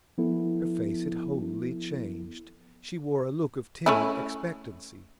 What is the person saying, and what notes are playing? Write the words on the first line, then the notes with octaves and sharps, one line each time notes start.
Her face had wholly changed; she wore a look of timid expectancy.
F3 B3 E4 A4
A3 C#4 E4